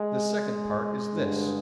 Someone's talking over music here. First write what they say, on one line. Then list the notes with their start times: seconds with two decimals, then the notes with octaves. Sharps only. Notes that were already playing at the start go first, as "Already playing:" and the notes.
The second part is this.
Already playing: G#3
1.13 G2 D3